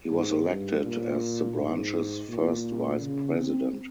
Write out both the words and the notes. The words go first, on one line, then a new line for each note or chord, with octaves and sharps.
He was elected as the branches first Vice President.
G#2
G2
A#2
G#2
A#2
C#3
C4